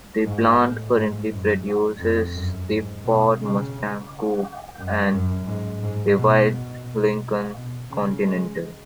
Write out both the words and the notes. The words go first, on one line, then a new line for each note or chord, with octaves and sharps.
The plant currently produces the Ford Mustang coupe and the revived Lincoln Continental.
G#2
A2
G#2
F#2
F2
F#2
G#2
B2
C#3
F#2
F#2
G#2
G#2
B2
B2
B2
C#3
G#3